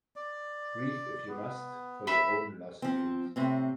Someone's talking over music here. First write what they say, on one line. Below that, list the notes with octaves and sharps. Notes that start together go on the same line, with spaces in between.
Grieve if you must, for your own lost dreams.
D5
B3
E5 B5
F3 C4
A2 C3 C4